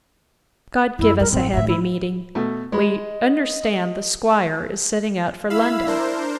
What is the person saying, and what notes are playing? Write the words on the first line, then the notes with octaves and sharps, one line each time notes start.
God give us a happy meeting! We understand the 'squire is setting out for London.
F#2 E4
G2 A#4
A1 C4
A2 D#3 E5
E4
B2 A3
G#3 D#5 B5
E4 F5 B5 E6
D4 A#4 C5